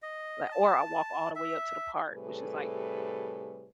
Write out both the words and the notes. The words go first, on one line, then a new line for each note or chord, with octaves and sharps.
li or I walk all the way up to the park, which is, like,
D#5
A5
E5
A2 C3 G3 G#4 A4 B4